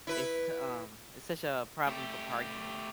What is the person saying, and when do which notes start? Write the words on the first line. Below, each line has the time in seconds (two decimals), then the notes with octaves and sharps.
it's, um, it's such a problem for parking.
0.07 E4 B4
1.87 A3 G4